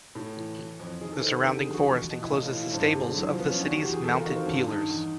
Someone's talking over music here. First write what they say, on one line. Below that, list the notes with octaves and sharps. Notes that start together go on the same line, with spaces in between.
The surrounding forest encloses the stables of the city's Mounted Peelers.
A2
E3
E3
F2
D#3 G#4
A4
D#3 C5
B4
D3 A4
G4
G#4
F2
F#4
E2
B2
E4
A2 F4
F4
E3
E4
G2 C4
D3 G#3
E3 F#3
F3
E3 B3
C#4
E2 D4
F#4
E2 G4
G#4
E2 A4
A#4
F4
D#3 F#4
C4
G2 C#4
G2 D#4
E2 D#4